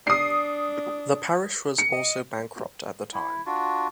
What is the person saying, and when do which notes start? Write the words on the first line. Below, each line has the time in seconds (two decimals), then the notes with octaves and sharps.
The parish was also bankrupt at the time.
0.07 D4 D#6 C7
1.78 C#7
1.93 D#5
3.13 E4
3.46 D4 F4 F#4